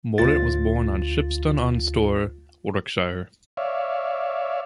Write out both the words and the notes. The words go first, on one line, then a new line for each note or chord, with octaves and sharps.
Morant was born in Shipston-on-Stour, Warwickshire.
D2 F4 A6
C#5 D5 E5 F5